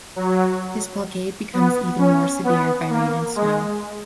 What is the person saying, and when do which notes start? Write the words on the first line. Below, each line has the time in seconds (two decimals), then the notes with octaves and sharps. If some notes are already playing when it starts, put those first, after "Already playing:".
This blockade becomes even more severe by rain and snow.
0.16 F#3
1.53 B3
1.99 C#4
2.44 B3
2.90 A#3
3.36 G#3